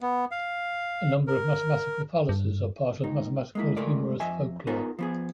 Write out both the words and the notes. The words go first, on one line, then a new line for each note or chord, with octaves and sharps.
A number of mathematical fallacies are part of mathematical humorous folklore.
B3
F5
A#4
G2
C#2 D#4
G#3 A#3 E4
C#2 G#3 A3 F4 A#4 D5
F2 D#5 E5 G#5
B3 D#4 F4 G#4 A#4
F3 B3 G#4